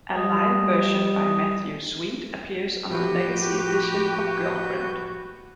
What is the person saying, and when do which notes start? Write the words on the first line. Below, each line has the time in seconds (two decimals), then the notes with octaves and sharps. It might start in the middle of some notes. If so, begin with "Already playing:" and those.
A live version by Matthew Sweet appears on the Legacy edition of Girlfriend.
0.17 G3 D#5
2.91 A2 F3 F#4 G4 B4 G6